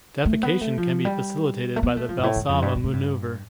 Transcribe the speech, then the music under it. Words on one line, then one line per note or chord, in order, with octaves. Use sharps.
Defecation can be facilitated by the Valsalva maneuver.
A3
B3
A3
F3
G3
A3
B3
A3
F3
G2
A2
G2
F2
G2
G2
A2
G2